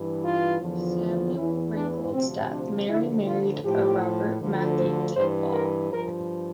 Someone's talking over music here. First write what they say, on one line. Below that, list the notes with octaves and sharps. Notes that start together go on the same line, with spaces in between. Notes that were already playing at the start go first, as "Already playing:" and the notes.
After Samuel Ringold's death Marie married a Robert Mackey Tidball.
Already playing: G2 E3
F4
E2 D3 F3
E2 E3 E4
D4
D2 C3 F3 C4
D4
D2 D3 F3 E4
F4
A2 F3 G4
D2 D3 F3
C5
G2 E3 C5
A#4
G2 F3 A#4